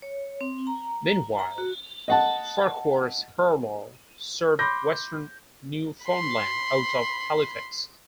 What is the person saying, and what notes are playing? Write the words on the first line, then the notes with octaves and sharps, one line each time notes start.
Meanwhile, Farquhar's Harlaw served western Newfoundland, out of Halifax.
C#5
C4
A#5
A#5
F#4
D#5 F#5 A5
B5 C6 D6 G6 A#6
B5 C6